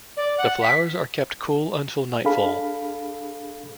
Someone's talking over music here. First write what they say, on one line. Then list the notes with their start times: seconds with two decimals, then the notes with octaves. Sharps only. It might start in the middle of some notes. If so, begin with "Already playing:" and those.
The flowers are kept cool until nightfall.
0.17 D5
0.38 F#5
0.62 B6
2.25 D4 G#4 A4 F5 B5